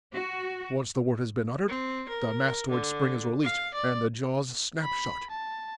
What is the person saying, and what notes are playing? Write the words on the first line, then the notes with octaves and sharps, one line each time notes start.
Once the word has been uttered, the mastoid spring is released, and the jaws snap shut.
F#4
C4
A#4
D3
F5
D5
B5
A5